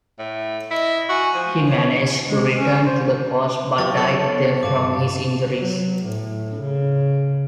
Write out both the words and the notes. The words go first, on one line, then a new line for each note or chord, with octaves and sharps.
He managed to return to the coast, but died there from his injuries.
A2
E4 D#5
F#4 G#5
F3
C#5
G#3
C#4
C5
F#3 B3 D#4 F4 G4 C#6 A6
A4 C#5 C#7
B3
G2 B2 F5 A5 D6
F#3
A2
C#3